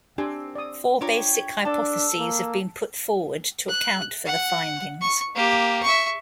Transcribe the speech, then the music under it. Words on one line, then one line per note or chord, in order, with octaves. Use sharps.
Four basic hypotheses have been put forward to account for the findings.
C4 D4 G4 G#5
D5 D#6
D4 F4 G4 C#5 A#5
D4 A4 D5 A5
A#3
F#6
F#5
C#6
A#3 G4
E5 C#6